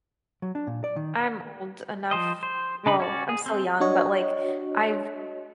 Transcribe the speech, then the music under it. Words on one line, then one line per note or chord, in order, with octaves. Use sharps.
I'm old enough, well, I'm still young, but, like, I've
F#3
D4
A#2
D5
D#3
F3 C5 D#5
C5
C#3 D4 D#4 B4 B5
C#4 F#4 D5
G#4
C4
D4 F#4 C#5 D#5